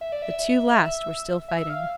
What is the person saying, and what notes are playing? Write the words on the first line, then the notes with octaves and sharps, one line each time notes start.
The two last were still fighting.
E5
D5
E5
E5
F5